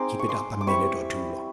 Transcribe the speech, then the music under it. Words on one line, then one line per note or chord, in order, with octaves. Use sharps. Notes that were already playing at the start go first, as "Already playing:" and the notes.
Keep it up a minute or two longer.
Already playing: G#3 C4 D#4 C6 D6
C#6
C6 D6
D6
G3 C4 E4 B5 C#6